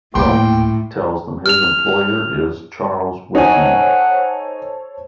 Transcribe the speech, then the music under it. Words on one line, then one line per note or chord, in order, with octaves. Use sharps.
Gault tells them his employer is Charles Widmore.
D#1 A2 G5 C6 D6
F6 F7
D#4 A4 C5 C#5 F#5 G#5